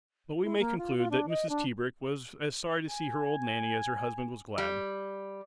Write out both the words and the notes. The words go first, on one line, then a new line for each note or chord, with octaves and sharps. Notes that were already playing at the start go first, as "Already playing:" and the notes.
But we may conclude that Mrs. Tebrick was as sorry to see her old Nanny as her husband was glad.
E4
A#3
F4
F4
D4
D#5
D4
G#5
G3